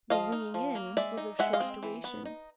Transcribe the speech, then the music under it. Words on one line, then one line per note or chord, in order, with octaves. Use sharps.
The "ringing in" was of short duration.
F3 D#5 F5
D#4
F3
A#3
G#3 D5 E5
D#4
G#3 E5 F#5
D#5 F5
C4
E3
B3
D#4